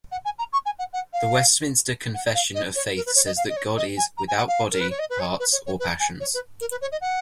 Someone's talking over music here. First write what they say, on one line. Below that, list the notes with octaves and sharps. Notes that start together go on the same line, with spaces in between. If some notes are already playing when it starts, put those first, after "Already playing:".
The Westminster Confession of Faith says that God is "without body, parts, or passions".
F#5
G#5
A#5
C#6
G#5
F#5
F#5
F5
F#5
F5
D#5
C#5
A#4
B4
C#5
D#5
F5
D#5
C#5
D#5
G#5
A#5
G#5
F#5
F5
A#4
B4
C#5
D#5
B4
C#5
B4
C#5
C#5
B4
G#5
C#5
B4
A#4
B4
C#5
D#5
F#5